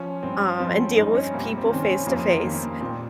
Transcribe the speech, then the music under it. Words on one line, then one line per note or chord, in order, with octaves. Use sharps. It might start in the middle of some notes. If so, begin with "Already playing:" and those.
um, and deal with people face to face.
Already playing: F3 C#4
G2 C4
F3 C4
C#4
G2 D#4
C#4
C3 A#3
C4
C#4
D#3 C4
C#4
F2 A#3
C4
A#3
D#3 A#3
A#2 C4